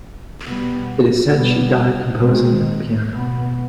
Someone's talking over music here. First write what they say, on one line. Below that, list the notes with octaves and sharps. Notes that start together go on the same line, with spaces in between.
It is said that she died composing at the piano.
B2 G3 B3
B2 G3 B3
D#3 G#3 C4
B2 B3